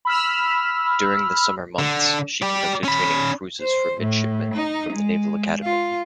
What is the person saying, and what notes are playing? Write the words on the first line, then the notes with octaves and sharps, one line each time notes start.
During the summer months, she conducted training cruises for midshipmen from the Naval Academy.
B5 E6 F6
D3
G4 D5
C#4 B5
C5
A2
D#4
G#3
F4